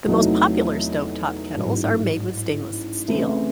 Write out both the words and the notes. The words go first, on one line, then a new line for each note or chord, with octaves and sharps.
The most popular stovetop kettles are made with stainless steel.
E2 C3 F#3 A3 D#4
A1 G#2 F#3
C#3 E3 A3 C4 E4